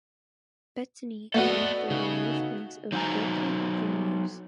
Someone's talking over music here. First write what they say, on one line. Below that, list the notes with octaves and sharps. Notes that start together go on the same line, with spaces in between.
Bettini came through the youth ranks of Boca Juniors.
A3 B3 F#4 A4 D5 D#5
C#3 D#4
F#3 D#4 C5 G5 G#5 A#5